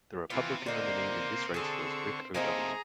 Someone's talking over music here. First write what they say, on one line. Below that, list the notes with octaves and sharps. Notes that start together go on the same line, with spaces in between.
The Republican nominee in this race was Rick O'Donnell.
E3 B3 C4 F4 G4
D3 A#3 D#4 C5
D3 G#4 A4 C#6
C3 A3 A#3 C4 D#4 G#4 A#5